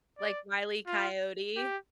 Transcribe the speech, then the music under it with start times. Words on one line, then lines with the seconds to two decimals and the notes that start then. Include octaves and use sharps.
Like, Wile E. Coyote?
0.19 D5
0.87 F4
1.56 G4